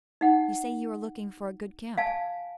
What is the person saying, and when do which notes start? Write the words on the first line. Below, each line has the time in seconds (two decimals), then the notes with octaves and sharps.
You say you are looking for a good camp.
0.21 D#4 F#5
1.98 F5 G#5 A5